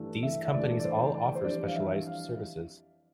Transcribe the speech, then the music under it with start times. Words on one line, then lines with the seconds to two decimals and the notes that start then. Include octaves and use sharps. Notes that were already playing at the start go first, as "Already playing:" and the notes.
These companies all offer specialised services.
Already playing: G2 E3 A3
0.23 E5
0.45 E5
0.54 G2 E3 A3 D5
0.80 D5
0.84 C5
1.15 D5
1.35 C5
1.44 F2 E3 G3 D4 D5
1.66 F5
1.76 E5
2.06 F5